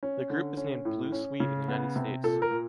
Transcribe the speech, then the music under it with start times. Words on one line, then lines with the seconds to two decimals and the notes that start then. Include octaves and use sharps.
The group is named Blue Swede in the United States.
0.03 C#4
0.30 D3
0.57 C#4
0.85 A2
1.12 C#4
1.40 C#3
1.68 B3
1.96 C3
2.23 A#2 A4
2.42 A#4
2.51 A#2